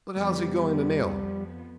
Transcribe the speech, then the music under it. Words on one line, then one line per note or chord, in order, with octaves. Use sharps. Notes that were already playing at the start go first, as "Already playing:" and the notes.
'But how's he going to nail him?
F2 F3 G3 B3